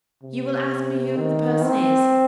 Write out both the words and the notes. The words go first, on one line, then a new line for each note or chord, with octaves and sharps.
You will ask me who the person is.
C3
D#3
C4